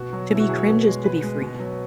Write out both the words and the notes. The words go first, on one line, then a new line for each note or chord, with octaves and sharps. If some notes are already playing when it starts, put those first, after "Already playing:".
To be cringe is to be free.
Already playing: B2 F#4
F#3
B2 E4
F#4
F#3 G#4
C#5
B2
G#3
B2 B4
G#3
B2
F#3